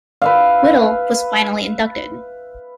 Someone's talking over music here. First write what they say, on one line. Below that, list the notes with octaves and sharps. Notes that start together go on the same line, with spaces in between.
Whittall was finally inducted.
B4 E5 F5